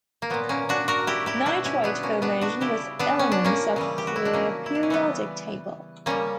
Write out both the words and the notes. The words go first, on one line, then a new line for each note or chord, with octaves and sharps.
Nitrate formation with elements of the periodic table.
A#3
A#2 F#3 B3
A#3 C#4
D4 F#4
F#4 A#4
E4 G4
E4 G4
B2 G3 D4 F#4
C#4 E4
B3 D4
A#3 C#4
B3 D4
D4 F#4
C#3 G3 E4 G4
B3 D4
C#4
D4
A#3 C#4
C#3 E3 G3
G4
F#4
E4
D4
A#3 C#4
E4
D4
C#4
C#3 E3 G3 B3
C#3 G3 A#3 C#4